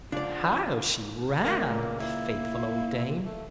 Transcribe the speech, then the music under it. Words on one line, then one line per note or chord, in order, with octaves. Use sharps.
How she ran, the faithful old dame!
C#2 F3 D4 D5 F5 F#5
A3 A#3
C#2 A#2
A#3 E4
C3
A3